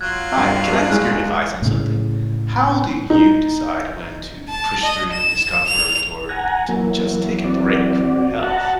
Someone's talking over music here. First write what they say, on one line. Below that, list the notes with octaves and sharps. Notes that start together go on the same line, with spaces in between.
Hi, can I ask your advice on something? How do you decide when to push through discomfort, or to just take a break for your health?
F#3 F4 F#6 G#6
G2
G#3 G#5 F#6
A2 C#3
D#4
A5
D#5
E7
F7
F#5 G#5 A#5
E3 F#3 A#3
C4 F#4 D5
F#4 F#5 A5 A#5